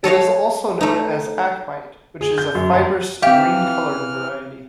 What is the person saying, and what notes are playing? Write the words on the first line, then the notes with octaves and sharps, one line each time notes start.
It is also known as acmite, which is a fibrous, green-colored variety.
A4 C#5 D#5 F5
A3 D#4
G#4
G6
F#2
F#2
E3 C4 G4 E5 F5 F6